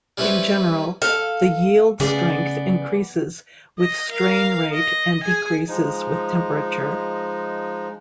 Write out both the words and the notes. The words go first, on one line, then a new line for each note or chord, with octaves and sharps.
In general, the yield strength increases with strain rate and decreases with temperature.
G3 C#4 E4 B4 C5
A4 F5
C#3 A3 B3 C#4 G#4 D5
D#5
A#4 F5
D#5
G#4 G#5
F3 G#3 D#4